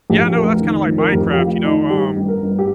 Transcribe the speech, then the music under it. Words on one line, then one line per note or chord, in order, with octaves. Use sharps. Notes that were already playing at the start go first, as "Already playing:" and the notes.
Yeah, no, that's kinda like Minecraft, you know, um
A#1 G4
G4
F1 A#4
D#3
F2
A#4
F2 G4
G4
F1 F4
D#3 D#4
G2 G4
G1
A#4
G1
G4